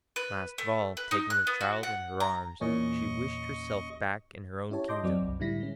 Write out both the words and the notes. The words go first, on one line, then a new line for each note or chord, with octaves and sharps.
Last of all, taking her child in her arms, she wished herself back in her own kingdom.
B4
A3
B4
D#4
F#6
B3
F#4
F#5
A#5
E2 A#2 C#4 D#5 C#6
C#4 E4 G4 C#5 A5
D#5 A5 C6 D6 G6 A#6
F#2 F#3 C4 D5 D6
G1 C2
A2 D3 G3 E4 A#6 B6
G#3 C#4